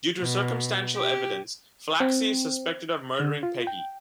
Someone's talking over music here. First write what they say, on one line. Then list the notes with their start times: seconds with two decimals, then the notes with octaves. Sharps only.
Due to circumstantial evidence, Flaxy is suspected of murdering Peggy.
0.20 B2
0.95 G4
2.00 C4
3.20 D3
3.43 F4
3.67 G5